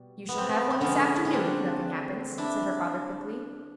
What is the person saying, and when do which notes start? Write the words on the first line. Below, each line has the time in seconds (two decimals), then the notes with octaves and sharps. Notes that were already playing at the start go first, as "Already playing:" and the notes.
"You shall have one this afternoon, if nothing happens," said her father quickly.
Already playing: B2 G3
0.29 B3
0.38 C4
0.49 B3
0.70 C4
0.80 D3 F3 G#3 B3 C#4
1.25 C#4
1.33 C4 D4
2.38 D4 E4